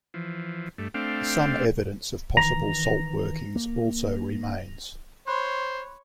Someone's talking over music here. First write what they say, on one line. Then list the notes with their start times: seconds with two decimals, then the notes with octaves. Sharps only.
Some evidence of possible salt workings also remains.
0.14 E3 F3
0.78 G2 A3
0.94 A3 C4 D4 F5 G5
2.37 D#3 E3 A#5
3.56 A#3
5.27 C5 C#5 B5 C6 F#6